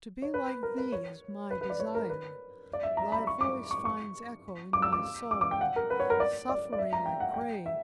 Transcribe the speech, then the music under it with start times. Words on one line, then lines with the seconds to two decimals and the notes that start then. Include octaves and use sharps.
To be like Thee is my desire; Thy Voice finds echo in my soul. Suffering I crave!
0.22 C#5
0.34 B4
0.63 A#4
0.78 B4
0.92 C#5
1.51 B4
1.61 B4
1.70 D5
1.80 C#5
1.95 A#4
2.09 B4
2.73 D5
2.83 E5
2.97 A#5
3.12 B5
3.27 C#6
3.41 D6
3.71 C#6
3.85 C#6
4.73 D6
4.82 E6
4.93 D6
5.31 D6
5.41 D6
5.51 G5
5.61 F#5
5.76 A#4
5.90 B4
6.00 C#5
6.10 A#4
6.20 D5
6.49 D5
6.73 D5
6.79 E5
6.93 A#5
7.06 G5
7.20 F#5
7.34 G5
7.66 E5